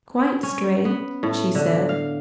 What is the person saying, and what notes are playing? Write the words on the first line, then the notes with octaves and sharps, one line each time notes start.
"Quite straight," she said.
C#4
B3
A2
D3
F5